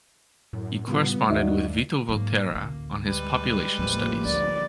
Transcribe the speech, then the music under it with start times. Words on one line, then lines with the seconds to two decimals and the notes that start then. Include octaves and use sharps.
He corresponded with Vito Volterra on his population studies.
0.53 F#2 A2
0.88 C#3 G3 B3 F4
1.30 D#2 D#3 G#3 D#4 F#4 D5 E5
2.08 G#2 F#3 A#3
2.52 A1 D2
3.08 G3 G#3 B4
3.78 A1 D#2 A2 F3 A#3
4.25 D2 D5